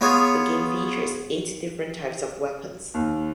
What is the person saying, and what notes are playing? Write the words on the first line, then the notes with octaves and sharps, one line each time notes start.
The game features eight different types of weapons.
B3 F4 G#4 C#5
D#2